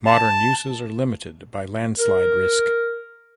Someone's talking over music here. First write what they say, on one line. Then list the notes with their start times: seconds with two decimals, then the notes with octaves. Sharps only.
Modern uses are limited by landslide risk.
0.06 A5
2.00 A#4